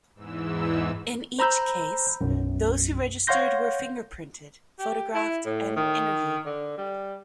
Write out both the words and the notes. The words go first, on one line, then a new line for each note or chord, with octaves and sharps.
In each case, those who registered were fingerprinted, photographed, and interviewed.
E2 G#2 E3 E6
C5 A#5 B5 E6 G6
B1 F#2
C#5 F5 F#5 C6 G6 A#6
G4
E4
A2
D#3
D3
G3